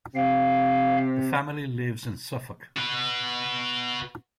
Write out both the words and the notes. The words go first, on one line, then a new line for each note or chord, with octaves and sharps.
The family lives in Suffolk.
C3 F5
F#4 B4